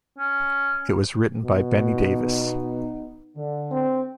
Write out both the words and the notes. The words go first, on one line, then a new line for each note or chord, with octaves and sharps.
It was written by Benny Davis.
C#4
B2
B3 D#4
D3
C4